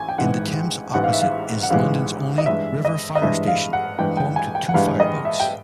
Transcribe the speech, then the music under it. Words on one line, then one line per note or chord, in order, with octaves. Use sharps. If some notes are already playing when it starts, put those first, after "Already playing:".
In the Thames opposite is London's only river fire station, home to two fireboats.
Already playing: A1 G#5
G5
A1 G#2 E3 G#3 F#5
A1 G#2 E3 G#3 F#5
F5
E5
F5
F#5
A1 G#2 E3 G#3 F5
D#5
G2 E3 G#3 E5
D#5
D#5
G2 E3 G#3 E5
F5
F#5
G2 E3 G#3 G5
G5
G#5
G5
F#5
G2 E3 G#3 F5
D#5
E5
G5